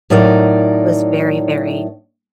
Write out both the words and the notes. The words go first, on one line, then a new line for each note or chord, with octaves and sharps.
was very, very
A2 F#3 D#4 A#4 D5